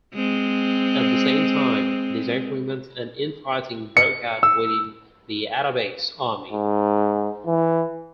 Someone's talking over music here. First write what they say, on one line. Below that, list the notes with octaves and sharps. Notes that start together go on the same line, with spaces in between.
At the same time, disagreements and infighting broke out within the Atabeg's army.
G#3 C4
C#7
E6
G#2
E3